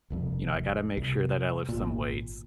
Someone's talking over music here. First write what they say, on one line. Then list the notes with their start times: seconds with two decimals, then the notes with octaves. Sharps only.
You know, I gotta make sure that I lift some weights,
0.10 E1 C2 F2
0.97 C2
1.69 G#1 A#2